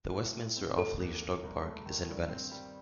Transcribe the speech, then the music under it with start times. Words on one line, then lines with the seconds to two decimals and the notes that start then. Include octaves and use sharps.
The Westminster Off-Leash Dog Park is in Venice.
0.14 A2
0.35 A2
0.57 C4
0.78 D#2 A4
1.00 D#2
1.22 A#3
1.43 C2
1.65 A3
1.86 D#3
2.09 G2
2.29 C4
2.52 G3